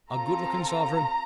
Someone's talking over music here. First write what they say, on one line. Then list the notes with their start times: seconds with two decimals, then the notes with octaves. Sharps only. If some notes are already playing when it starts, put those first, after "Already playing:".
A goodlooking sovereign.
0.11 C4 F4 A4 A#5